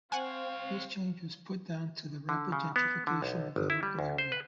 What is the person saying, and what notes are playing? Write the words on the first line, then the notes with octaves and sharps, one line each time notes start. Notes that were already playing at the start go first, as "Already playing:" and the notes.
This change was put down to the rapid gentrification of the local area.
G#3 C4 C#5 F5 F#5 G#5
D3
C#3
B3
D3
B1
G1
E4
G3
D2
C5
B4